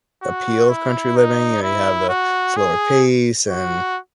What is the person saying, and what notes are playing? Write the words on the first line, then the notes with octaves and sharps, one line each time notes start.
appeal of country living, you know you have the slower pace and,
F#4
E4
D#4
E4
F#4
G#4
F#4